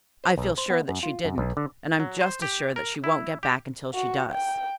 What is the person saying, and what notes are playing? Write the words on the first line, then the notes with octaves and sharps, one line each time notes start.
"I feel sure that she didn't, and I am just as sure that she won't get back until she does."
C5
B1
C5
B3
F#2
F4
F#2
B1
D3
F#3
C5
G4
A#4
E4
G4
F#4
G5